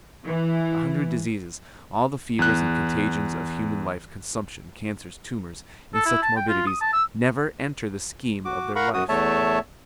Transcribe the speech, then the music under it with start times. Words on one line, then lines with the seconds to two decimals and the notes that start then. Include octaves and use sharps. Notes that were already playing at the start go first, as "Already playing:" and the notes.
A hundred diseases, all the fevers and contagions of human life, consumption, cancers, tumours and such morbidities, never enter the scheme of their life.
0.25 E3
2.39 E2 F#6
5.94 A4
6.06 E4
6.23 A5
6.37 G5
6.49 F4
6.67 D#6
6.81 A5
6.93 E6
8.45 F#4 D6
8.76 A#4 F5 F#5 A#5 B5 C#6
8.94 F#2 F#4 D#6
9.09 E2 A3 C#5 E5 A5